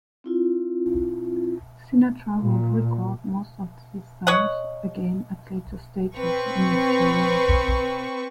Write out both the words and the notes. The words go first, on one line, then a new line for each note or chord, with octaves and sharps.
Sinatra would record most of these songs again at later stages in his career.
C4 E4 F4
A#2
C#5 D#5 F#5
C4 B4 C#6